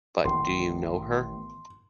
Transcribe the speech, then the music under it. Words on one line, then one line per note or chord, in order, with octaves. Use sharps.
But do you know her?
A1 D#3 B3 C6